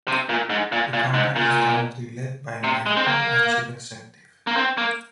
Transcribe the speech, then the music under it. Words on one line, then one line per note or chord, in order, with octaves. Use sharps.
The company is currently led by Mike Hall as Chief Executive.
C3
A#2
G#2
A#2
A#2
G#2
A#2
C3
G#3
C4
A#3
A#3
C4
A#3